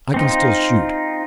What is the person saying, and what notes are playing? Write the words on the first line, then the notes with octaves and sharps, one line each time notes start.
I can still shoot.
C4 D#4 F4